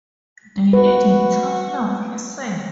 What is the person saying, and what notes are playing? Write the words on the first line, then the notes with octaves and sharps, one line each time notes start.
They needed "tough love", he said.
F#4 B4